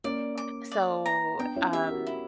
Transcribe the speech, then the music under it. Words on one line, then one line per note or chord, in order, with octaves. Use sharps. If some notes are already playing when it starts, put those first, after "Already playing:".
So, um
A#3 C#4 D5
D6
D5
A#5
B3 D4 G5
C#4 E4
E4 G4 E5
F#4 A#4
E4